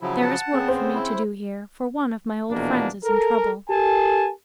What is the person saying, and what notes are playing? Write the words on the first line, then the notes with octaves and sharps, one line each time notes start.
"There is work for me to do here, for one of my old friends is in trouble."
C#3 F3 F#3 E4
F#5 A5
C#3 B3 C4
C5
E4
A#1 E2 B2 F3 A#3 D4
A4 A#4
G4 A4 A#4 G#5 A5